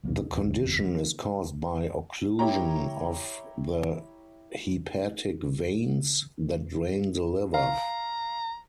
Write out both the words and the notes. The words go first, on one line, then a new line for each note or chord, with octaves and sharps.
The condition is caused by occlusion of the hepatic veins that drain the liver.
B1 C3 F#3 A#3
D1 E2
E1 D2 B2
F#1 E2
F3
E4 G4 C#5 G5 A#5
F5 A#5